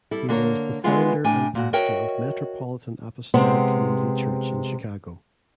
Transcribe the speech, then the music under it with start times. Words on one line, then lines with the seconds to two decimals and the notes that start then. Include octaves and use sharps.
He was the founder and pastor of Metropolitan Apostolic Community Church in Chicago.
0.11 G3 E4 A4
0.28 D3 A#3 A#4 C#5
0.84 E3 G#3 B3 F4 F#4
1.24 A2 D4 G5 G#5
1.55 A#2 F#4
1.73 F#4 A#4 C#5 D#5 E5 G5
3.34 C3 G#3 B3 C4